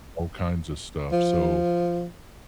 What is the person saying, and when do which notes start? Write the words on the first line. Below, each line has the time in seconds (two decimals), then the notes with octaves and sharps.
all kinds of stuff, so,
1.12 F3